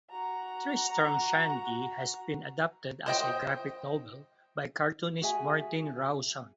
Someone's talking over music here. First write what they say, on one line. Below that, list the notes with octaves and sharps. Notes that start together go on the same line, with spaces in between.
"Tristram Shandy" has been adapted as a graphic novel by cartoonist Martin Rowson.
F#4 A#5
C5 D#5 G5
F#4 G#4 E5 G#5